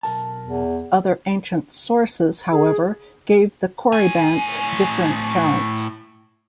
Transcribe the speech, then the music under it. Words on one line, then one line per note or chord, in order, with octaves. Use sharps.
Other ancient sources, however, gave the Corybantes different parents.
B1 A#4 A5
E2
G#4
A2 G#5